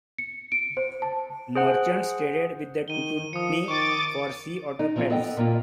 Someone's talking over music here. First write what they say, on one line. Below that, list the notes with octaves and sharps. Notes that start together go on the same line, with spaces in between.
Merchants traded with the Tututni for sea otter pelts.
C#7
D7
C5
A5
G#4 C5 F#5
D#3 D#7 G7
F3 D#6 C#7
D#3 C#6 D6 A6 D7
D#4
E3 F3 C4 D4 F4
B3 A4 D#5 E5 G5
A#2 A#3 F4